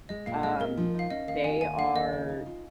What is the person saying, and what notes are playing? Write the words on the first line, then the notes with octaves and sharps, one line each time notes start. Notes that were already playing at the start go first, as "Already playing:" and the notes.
um, they are
G#3 D#5
A#2 F5
G#3 D#5
A#2 A#4
F3
D#4 F5
C#4 D#5
D#2 F5
D#3 G#5
D#2 G#5
A#3 F5
D#2 D#5
C#3
D#4
F4